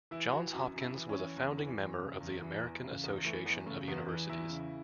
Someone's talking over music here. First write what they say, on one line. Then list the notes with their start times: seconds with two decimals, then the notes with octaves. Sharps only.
Johns Hopkins was a founding member of the American Association of Universities.
0.11 E3 E4
0.32 E3 F#4
0.53 F#2 F#4
0.74 F#2
0.80 E4
0.95 E3
1.09 C#4
1.16 E3
1.37 E2
1.57 E3
1.78 E2
1.99 C#3
2.20 E2
2.41 E3
2.62 E2
2.83 C#3
3.04 E2 B3
3.25 E3 A3
3.46 E2 B3
3.66 C#3 A3
3.88 E2 B3
4.09 E3
4.29 E2 E4
4.50 C#3